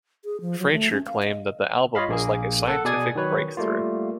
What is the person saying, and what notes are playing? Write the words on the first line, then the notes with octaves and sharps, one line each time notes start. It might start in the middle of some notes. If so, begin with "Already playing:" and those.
Fraiture claimed that the album was "like a scientific breakthrough".
G#4
F3
F#3
A3
C#4
F5
D#5
F4 C#5 D#5 F5 B5
A#1 A#3 G#4
A4 F#5
B2 G#4 D5 G#5 D#6 G#6
D#3 F#3 B4 C#5
G3 A3 A#3 F4